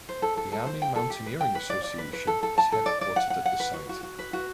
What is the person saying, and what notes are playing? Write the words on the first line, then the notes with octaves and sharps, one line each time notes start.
The Army Mountaineering Association is headquartered at the site.
C5
A4
A4
A4
C5
G5
A4
G4
B4
G5
B4
D5
D5
B4
B4
A4
A4
A5
A4
D5
D5
F#5
F#5
F#5
B4
F#4
F#4
F#4
B4
F#4